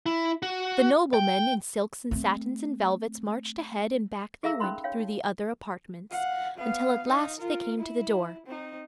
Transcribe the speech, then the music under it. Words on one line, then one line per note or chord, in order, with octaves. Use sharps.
The noblemen, in silks and satins and velvets, marched ahead, and back they went through the other apartments, until at last they came to the door.
E4
F#4
G5
A3 C4
G#4 A4 E5 F5 A#5 E6
C#4 D#4 A#4 B5 C6
C#5 F5 G5
D#4
F5 F#5
B3 F5
D#4 F5
F4 A#4
E4
C4 D#4